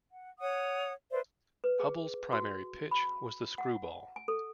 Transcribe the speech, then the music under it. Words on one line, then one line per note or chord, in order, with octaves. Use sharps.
Hubbell's primary pitch was the screwball.
F#5
C#5 F#5 D#6
B4 C5 D5 E5
B4
G#4
F#4
B5
F#5
G#5
A4